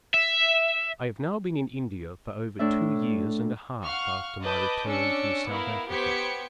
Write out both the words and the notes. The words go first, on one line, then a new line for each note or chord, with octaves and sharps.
I have now been in India for over two years and a half after my return from South Africa.
E5
A2 D4 E5
F5 F#5 C#6 F6
B4 D#5 A5 D6 G6
C#4 D4 D6 E6 C#7
B3 E4 A#4 F5
B3 G4 C5 G#6 B6 C#7